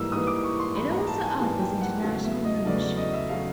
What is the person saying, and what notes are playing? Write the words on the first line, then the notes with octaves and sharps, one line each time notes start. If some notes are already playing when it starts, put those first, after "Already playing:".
It also offers international membership.
Already playing: G#2 E3 G3 A#3 E6
G#2 E3 G3 A#3 D#6
D6
C#6
C6
G#2 E3 G3 A#3 B5
A#5
A5
G#5
G#2 E3 G3 A#3 G#5
G5
F#5
E2 C#3 F#3 A3 F5
E5
D#5
E2 C#3 F#3 A3 D5
D5
D#5
E5
C#3 F#3 A3 F5